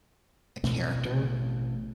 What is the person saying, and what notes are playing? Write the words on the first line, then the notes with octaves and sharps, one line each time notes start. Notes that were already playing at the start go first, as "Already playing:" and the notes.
the character
A1 B2 A3 C4